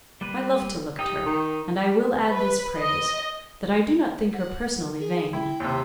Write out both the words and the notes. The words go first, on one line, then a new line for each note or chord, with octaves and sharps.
I love to look at her; and I will add this praise, that I do not think her personally vain.
G3 A#3 B4
D#4 G4 D#5 D#6
D#3
B4
D#5
F#5
G#4
E4 G5
D#2 C3